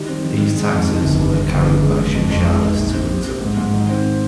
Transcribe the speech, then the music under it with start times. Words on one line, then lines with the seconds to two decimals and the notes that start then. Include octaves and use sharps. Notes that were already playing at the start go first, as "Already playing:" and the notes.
These taxes were carried by Shimshalis to Hunza.
Already playing: D#3 G3
0.08 C4
0.24 D#3
0.40 D#3
0.56 G#3
0.72 F2
0.88 D#3
1.04 G1
1.19 G2
1.35 G2
1.51 G1
1.67 C#3
1.83 G#3
1.99 G#3
2.15 F2
2.31 F2
2.46 G#3
2.62 D#4
2.78 A#1
2.93 C4
3.10 G4
3.26 G4
3.42 G#2
3.57 G#2
3.73 D#3
3.89 C4